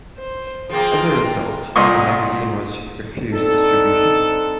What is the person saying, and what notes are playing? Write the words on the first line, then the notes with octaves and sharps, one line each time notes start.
As a result, the magazine was refused distribution.
C5
F3 A#3 G#4 G5
C2 A#2 D#5 C6 C#6
C4 D4 D#4 A4